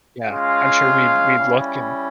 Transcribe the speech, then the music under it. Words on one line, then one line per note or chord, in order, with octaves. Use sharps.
Yeah, I'm sure we'd we'd look and,
G#3 C#4 F4 F5
G3 C#4 E4